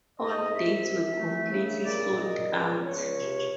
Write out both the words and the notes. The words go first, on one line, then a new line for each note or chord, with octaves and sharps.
All dates were completely sold out.
G#2 D#5
C2 E5
C2
A3
C#3
A#2 D5
A#2 D#5
C#2 D5
C#2 C#5
C3